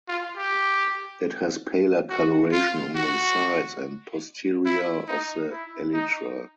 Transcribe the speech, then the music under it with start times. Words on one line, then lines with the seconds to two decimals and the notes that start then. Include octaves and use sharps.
It has paler colouration on the sides and posterior of the elytra.
0.08 F4
0.37 G4
2.09 F#4
2.52 F4
2.95 F#4
4.66 E4
5.08 D#4
5.51 E4
5.93 D#4